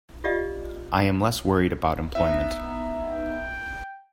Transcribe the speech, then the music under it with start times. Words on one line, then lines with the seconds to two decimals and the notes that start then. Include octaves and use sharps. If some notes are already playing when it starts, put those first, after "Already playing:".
I am less worried about employment.
0.24 F4 G4 D5 D#5 F5
2.15 B3 D#4 E5
3.10 G5